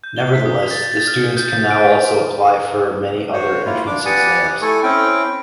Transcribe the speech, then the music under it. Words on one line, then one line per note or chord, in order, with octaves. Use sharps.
Nevertheless, the students can now also apply for many other entrance exams.
G6
G7
B6
D#6
A6
A6
F6
F6
G6
G6
D7
C#6
F#4 C5 C#5
A#3 E4 F4
D4 D6
G4 B4 D5 F#5 G#5 D#6
A3 E4 A4 G#5 C#6
C4 C#4 E4 G5